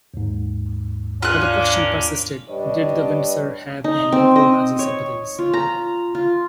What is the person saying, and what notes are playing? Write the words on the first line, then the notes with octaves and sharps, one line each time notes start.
But the question persisted: did the Windsors have any pro-Nazi sympathies?
D#2 G#2
A#3 C#4 D4 F4 F#6
G3 D4 G4 B4 C#5 D#5
D#4
C4
D#5
C#5
F4
A#5
F4